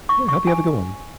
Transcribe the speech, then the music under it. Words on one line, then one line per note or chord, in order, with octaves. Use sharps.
Yeah, hope you have a good one.
C#6
C#6
G#5